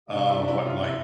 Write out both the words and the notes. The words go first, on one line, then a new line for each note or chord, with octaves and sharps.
uh, what, like,
C3 D4
E4
D4
E4
F4
E4